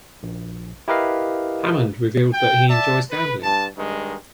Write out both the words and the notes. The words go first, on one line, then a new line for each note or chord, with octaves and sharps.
Hammond revealed that he enjoys gambling.
A#1
E4 G4 A#4 B4 D#5 F5
G5
D5 E5 A5
B4
G2 A5
G2 D#3 G#3